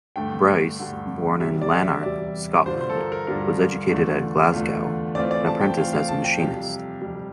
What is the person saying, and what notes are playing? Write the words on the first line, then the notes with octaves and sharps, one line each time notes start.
Bryce, born in Lanark, Scotland, was educated at Glasgow, and apprenticed as a machinist.
G2 D3 A3 G5
G2 D3 A3
E2 C3 G3 E5
D5
E5
E2 C3 G3 D5
G2 D3 G3 D4 F4 C5
C5
A4
A#4
A#4
G2 D3 G3 D4 F4 A#4
E2 D3 A3 D4 F4
E2 D3 A3 D4 F4
E3 A3 C4 F4 D5
D5
A5
G5
E3 A3 C4 F4 F5
F5
A5
G5
F2 C3 G3 F5
F2 C3 G3